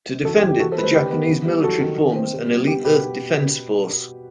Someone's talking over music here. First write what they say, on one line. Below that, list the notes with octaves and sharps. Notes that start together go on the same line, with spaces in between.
To defend it, the Japanese military forms an elite Earth Defense Force.
E3 F#4 A4
G4
E3
G4
E3 F#4 A4
A4 C5
A3 B4
A4 C5
D#3 G4 B4
B3
E3
G3
F#3 F#4 A4
D#3
D#3
C4
C3
G3
B3 G4
B2 G4 B4